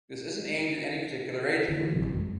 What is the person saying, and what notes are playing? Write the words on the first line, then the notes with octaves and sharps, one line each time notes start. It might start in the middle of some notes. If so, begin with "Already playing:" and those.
This isn’t aimed at any particular age group.
D3 E3
A1 C3 E3 F#3
F#2 G#3